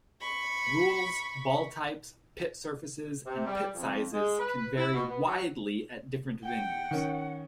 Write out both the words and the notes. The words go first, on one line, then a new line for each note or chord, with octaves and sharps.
Rules, ball types, pit surfaces, and pit sizes can vary widely at different venues.
B5 C#6
C3
G3
F2
G#3
B4
E4
B2
B3
F#3
F#5 G5
D#3 C#4